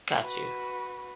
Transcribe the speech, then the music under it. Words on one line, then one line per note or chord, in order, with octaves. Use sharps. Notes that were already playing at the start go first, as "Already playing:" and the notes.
Got you.
F#4 B4